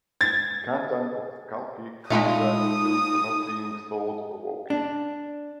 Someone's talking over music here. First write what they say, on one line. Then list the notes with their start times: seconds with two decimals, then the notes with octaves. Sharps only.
Kanthan of "Kalki" criticised the film for not being thought provoking.
0.21 G#6 A6
2.10 A#2 G#3 A3 D#4 F4 B5 D#6
4.70 D4